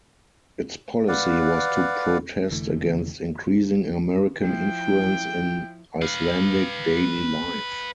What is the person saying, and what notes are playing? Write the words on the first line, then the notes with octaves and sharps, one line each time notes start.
Its policy was to protest against increasing American influence in Icelandic daily life.
B4 D5 F5 F#5
F1 D3 E3 A3
F3 E4 G5
B4 F5